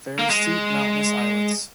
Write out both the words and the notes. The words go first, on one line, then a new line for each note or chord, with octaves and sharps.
Very steep mountainous islets.
A#3
G#3